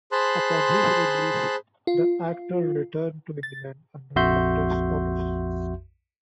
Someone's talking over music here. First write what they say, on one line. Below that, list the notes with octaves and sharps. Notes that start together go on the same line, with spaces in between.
Upon his release, the actor returned to England under doctor's orders.
G#4 C5 A5 B5 C6 F#6
F4
A6
A#1 F2 F#4 E5 C6 G6